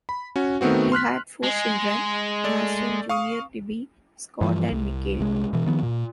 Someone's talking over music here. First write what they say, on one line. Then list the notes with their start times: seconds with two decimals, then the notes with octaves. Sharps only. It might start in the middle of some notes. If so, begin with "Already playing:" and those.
He had four children, Masten Junior Debbie, Scott and Michael.
0.09 B5
0.36 C#4 F#4
0.61 D#3 A3 B3 C4 F#4
0.92 C6 F6 F#6 B6
1.43 G#3
2.44 A3 D5
3.09 F5 C#6 D#6
4.41 G2 E3 F3
4.71 C2
5.20 C2 G#3
5.53 B2 E3
5.67 D#3 F3 B3
5.83 A#2